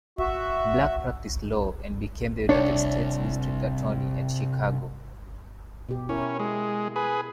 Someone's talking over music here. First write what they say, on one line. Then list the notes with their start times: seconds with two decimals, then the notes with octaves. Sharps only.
Black practiced law and became the United States District Attorney at Chicago.
0.19 F#4 E5
2.49 C2 D4 C#5
5.89 B2 G4
6.09 C#4 E4 A#4
6.39 G#3
6.96 G#4 B4